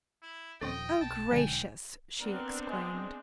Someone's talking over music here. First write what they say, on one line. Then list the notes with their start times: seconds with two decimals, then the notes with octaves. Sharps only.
"Oh, gracious!" she exclaimed.
0.23 E4
0.61 D#2 A#2 F3 C4 C#4 A4 D#5 G5
1.01 B1 A5 A6
1.31 B1 G#2 D3 F3 G#3 G5 G#5
2.20 B3 C4 D4 A#4
2.69 G#3